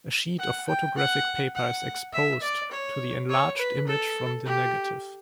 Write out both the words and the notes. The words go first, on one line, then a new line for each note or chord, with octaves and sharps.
A sheet of photographic paper is exposed to the enlarged image from the negative.
F#5
G5
F#5
F#5
E5
D5
C#5
C#5
B4
A4
G4